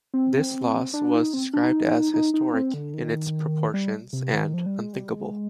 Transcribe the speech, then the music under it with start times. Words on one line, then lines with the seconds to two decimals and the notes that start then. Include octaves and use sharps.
This loss was described as "historic" in its proportions, and "unthinkable".
0.14 C4
0.94 D4
1.14 D#4
1.34 C4
1.54 D4
1.63 D#4
2.14 D#4
2.34 D#4
2.53 C4
2.74 D3
2.94 D#3
3.74 G3
4.13 C3
4.33 D#3
4.54 F3
4.66 G3
4.79 G#3
4.93 G3
5.13 G#3